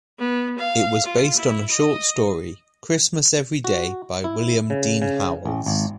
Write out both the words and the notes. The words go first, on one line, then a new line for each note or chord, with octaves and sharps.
It was based on a short story, "Christmas Every Day" by William Dean Howells.
B3
F5
F4
E4
D#5
F#4
E4
C#3
C#3
A1
G#1